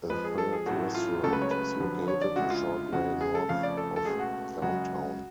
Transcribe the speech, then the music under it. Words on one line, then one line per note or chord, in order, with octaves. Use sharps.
A third restaurant is located a short way north of downtown.
F2 F3 G#3 B4
G#4
A4
G#4
A1 A2 F#3 A3 F#4
F4
C#2 C#3 F#3 A3 A4
B4
C#5
B4
F2 D3 F#3
C#5
D5
D2 C#3 G#3 F#4
F4
C#2 C#3 G#3 F#4
G#4
A4
F2 C#3 F3 A3 F5
D5
A4
A4
C#2 B2 A3 G#4
F#4
F#2 C#3 G#3 F#4